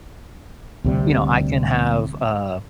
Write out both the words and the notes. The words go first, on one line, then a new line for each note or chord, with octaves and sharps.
you know, I can have, uh
D2 C3 G3